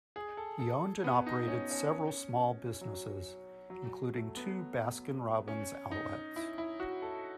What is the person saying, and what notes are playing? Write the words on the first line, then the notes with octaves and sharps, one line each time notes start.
He owned and operated several small businesses, including two Baskin-Robbins outlets.
G#4
A4
A4
B3
D#4
C#4
C#4
F#3
F#3
A3
B3
C#4
D#4
E4
E4
F#4
A4